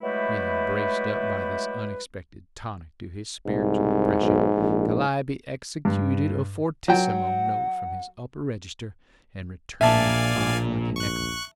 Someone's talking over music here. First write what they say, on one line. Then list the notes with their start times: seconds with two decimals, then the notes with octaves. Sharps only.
Feeling braced up by this unexpected tonic to his spiritual depression, Calliope executed a fortissimo note from his upper register, and returned the fire like an echo.
0.02 F#3 G#3 A3 E4 G4 B4
3.46 C2 G#2
4.21 B1
4.57 A#1
5.85 G2
6.88 F#3 F#5 G5
9.81 A#1 A#2 D5 E5 F5 G#5 A5
10.36 A#1
10.96 C#6 F#6